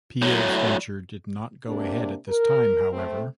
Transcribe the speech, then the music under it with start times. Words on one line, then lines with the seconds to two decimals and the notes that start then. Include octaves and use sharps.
Peel's venture did not go ahead at this time, however.
0.22 A2 F#3
1.67 C3 A#3 D4
2.28 A#4
2.92 A3 C4